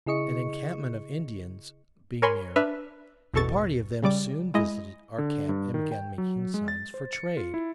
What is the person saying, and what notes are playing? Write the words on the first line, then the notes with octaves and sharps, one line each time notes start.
An encampment of Indians being near, a party of them soon visited our camp and began making signs for trade.
C#3 E4 G#4 D#5 C#6 C#7
A#4 C#5 G#5 B5 C6
D4 B4 E5 F6
A1 E2 B2 A4 C#6 A6
C#3 G3 D5 D6
G#3 E4 D#5
D3
G2
D#3
G5
F#3
G#3
A6
C5
C#7
F4
E4